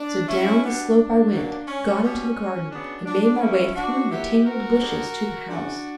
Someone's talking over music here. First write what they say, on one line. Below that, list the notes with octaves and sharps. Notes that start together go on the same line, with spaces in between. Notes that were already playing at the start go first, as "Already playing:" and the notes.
So down the slope I went, got into the garden, and made my way through the tangled bushes to the house.
Already playing: D4
C#4 E4
B2 G3 B3 D4
B2 F#3 A#3
C#4
B2 G3 B3 C#4
C#3 F#3 B3 D4
D4
B2 F#3 A#3 C#4 E4
D4 F#4
A#2 F#3 B3 E4 G4
F#4 A#4
D3 G3 B3
C#3 E3 B3 D4 F#4